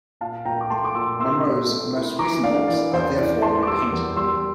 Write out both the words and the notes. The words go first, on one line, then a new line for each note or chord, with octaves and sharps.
Munroe's most recent books are Therefore Repent!
A#2 F5 A5
A#2 G5 A#5
D6
A3 A5 C6
D6
A#2 C6 E6
E4 C6 E6
A#2
A3
E4
E3 A#5 D6
D4 D5 F5
E3 D5
E2 C5
E3 D5
E3 A5 C6
D6
G3 C6 E6
E2
G3 C6 E6